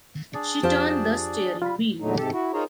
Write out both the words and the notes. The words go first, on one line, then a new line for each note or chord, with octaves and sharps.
She turned the steering wheel.
D4 G#4 D5
F2 F4 G4 C5 A5
G3 F4 B5
E2 A#2 D3 F#3 A3 D#4
G#2 C3 G4 A4
E4 F#4
D#4 F4 G#4 A#4 C5 C#5